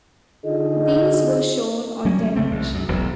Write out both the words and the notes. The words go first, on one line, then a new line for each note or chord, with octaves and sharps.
These were shown on television.
D3 D#4 F4 G#4 D#5
F#3 G3 A#3 C#4
C#3 A3 C4
C2
F#2
E1 B1